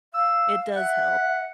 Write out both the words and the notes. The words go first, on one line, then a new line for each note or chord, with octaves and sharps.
It does help.
F5 E6
E5 F#5